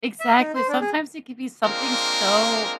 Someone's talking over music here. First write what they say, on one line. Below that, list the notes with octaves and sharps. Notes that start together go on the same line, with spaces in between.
Exactly sometimes it could be something so,
E5
D#4
C5
D4
G#4
G#3 A#3 C4 D4 F4 A#4